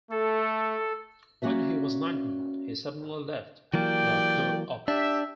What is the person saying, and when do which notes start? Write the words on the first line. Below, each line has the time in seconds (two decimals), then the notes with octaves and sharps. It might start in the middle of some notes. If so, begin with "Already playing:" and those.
When he was nineteen he suddenly left the Co-op.
0.11 A3 A4
1.42 A#3 C#4 F#4 D5 E5
3.74 E3 F#3 A#3 G4 D5 G5
4.88 D4 G4 E5